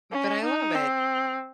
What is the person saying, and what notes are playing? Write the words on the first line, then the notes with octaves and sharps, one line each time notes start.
but I love it.
C#4
D#4
C4